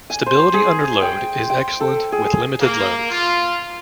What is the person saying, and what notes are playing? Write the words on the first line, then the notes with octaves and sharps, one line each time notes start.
Stability under load is excellent with limited loads.
G#5
C5
G#4
G5
G5
A4
G#4
A#3
F4